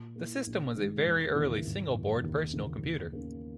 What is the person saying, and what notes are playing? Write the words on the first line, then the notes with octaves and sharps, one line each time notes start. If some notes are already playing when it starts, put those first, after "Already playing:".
The system was a very early single-board personal computer.
Already playing: A#2
A#3 E4
A#1
G#2 D#3 G#3
E1
D#2 C#3 E3 A#3
G#1
F#2 E3
D#2
C#3 E3 A#3
D#2
D#3 A#3 C#4